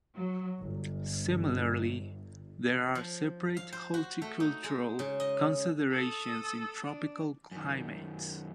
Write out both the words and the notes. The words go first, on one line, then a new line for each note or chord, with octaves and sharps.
Similarly, there are separate horticultural considerations in tropical climates.
F#3
G1
F3
F5
C5
F#4
A3
D#4
G#3
C#3
D#5
A4 D#6
D4
F#2 D#3